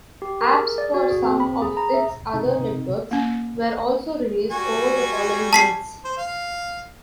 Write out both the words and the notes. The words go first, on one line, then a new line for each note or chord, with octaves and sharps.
Apps for some of its other networks were also released over the following months.
G4
A#4
G#4
D5
F#4
G#4
C4
B5
G#4
A#5
E5
C3 D#4
A#3 C#4
G3 F#4 G#5
A5 B6 C7
C5
F5